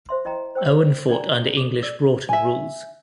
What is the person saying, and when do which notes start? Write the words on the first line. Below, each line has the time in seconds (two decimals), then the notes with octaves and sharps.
Owen fought under English Broughton rules.
0.09 C5 E5 C6
0.25 E4 D#5 G5 A#5
0.55 C5 G5 E6
1.09 D4 D#4 D5 G5 G#5 A#5
1.57 A4 D6
1.83 D5 E6
2.29 E5 G#5